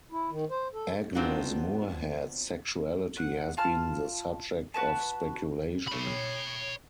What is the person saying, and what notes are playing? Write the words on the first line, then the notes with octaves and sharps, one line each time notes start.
Agnes Moorehead's sexuality has been the subject of speculation.
E4
D#3
C5
A4
B3 C4 D4 D#4 F4 F#4
F#5
F4 A5 F6
F#4 B4 A5
C#5 B5